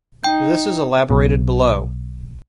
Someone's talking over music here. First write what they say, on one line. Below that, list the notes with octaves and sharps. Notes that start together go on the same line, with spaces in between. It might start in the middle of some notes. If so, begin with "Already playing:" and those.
This is elaborated below.
D#4 G5 G6
B1 B2